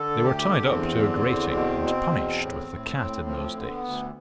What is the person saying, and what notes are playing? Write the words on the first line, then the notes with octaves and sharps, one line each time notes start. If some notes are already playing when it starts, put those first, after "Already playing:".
They were tied up to a grating and punished with the cat in those days.
Already playing: D3 A4
D2
G4
D3
E2 C4
D3
E2
B2
B2
E2
A2
A2
A2
F3 C4
D3
C4
B3
D2